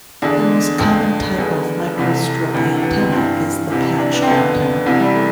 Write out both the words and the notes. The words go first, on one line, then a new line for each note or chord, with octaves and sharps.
The most common type of microstrip antenna is the patch antenna.
E2 D3 D4
F2 D3 C4
E2 D3 B3
C2 C3 E3
A3
D2 C3 E3
B3
C4
G2 E3 C4
C2 C3 E3
D4
B3
C4
F2 D3 B3
C2 C3 E3
G3
A3